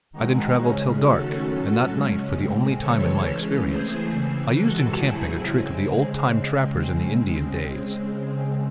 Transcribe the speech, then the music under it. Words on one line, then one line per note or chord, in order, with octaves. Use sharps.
I then traveled till dark, and that night, for the only time in my experience, I used in camping a trick of the old-time trappers in the Indian days.
D#3 G#3 C4 D#4 F#4
C#3 G#3 C#4
D#3 A3 C#4 F#4 A4
A2 F#3 C#4 F#4 A4
C#3 G#3 C#4
A2 G#3 C4
C#3 E3 G#3 C4 A4 C#5
E3 G#3 C#4
E3 A3 C4 G#4 C5
C#3 E3 C4
C3 E3 G#3 F#4 A4
A2 F#3 A3 C4 E4 G#4
C#3 G#3 C4